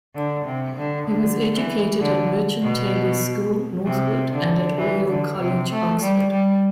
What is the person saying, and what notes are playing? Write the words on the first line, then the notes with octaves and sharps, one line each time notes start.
He was educated at Merchant Taylors' School, Northwood, and at Oriel College, Oxford.
D3
C3
D3
D3
E3
D3
B2
C3
D3
E3
D3
C3
A3
G3
G3